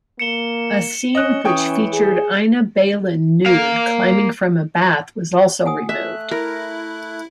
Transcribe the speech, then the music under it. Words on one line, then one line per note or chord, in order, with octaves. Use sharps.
A scene which featured Ina Balin nude climbing from a bath was also removed.
A#3 C#7 E7 G7
C#4 D#5 F#6
E3 C#4 C#5 G5 D#6
G#4
A#3 F5
F#5 G#5 D#6
A3 E5 F#6
E4 A#4